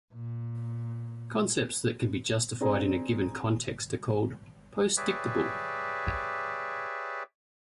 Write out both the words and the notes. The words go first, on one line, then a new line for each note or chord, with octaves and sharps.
Concepts that can be justified in a given context are called postdictable.
A#2
C4 D4 G#4 C5 A#5
G4 G#4 B4 C#5 D5 E5